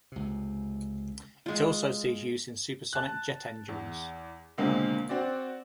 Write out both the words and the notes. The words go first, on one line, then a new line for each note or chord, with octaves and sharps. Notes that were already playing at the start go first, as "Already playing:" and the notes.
It also sees use in supersonic jet engines.
C#2 C3
G#3 F4
A5 F#6
E2
C#2 B2 D3 G#3 A#3 C4
C4 F#4 D5